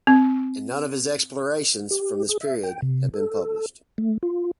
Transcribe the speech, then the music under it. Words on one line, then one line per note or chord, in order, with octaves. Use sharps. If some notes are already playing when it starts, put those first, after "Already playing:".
None of his explorations from this period have been published.
C4
G4
G#4
E5
G5
C3
A4
A3
F4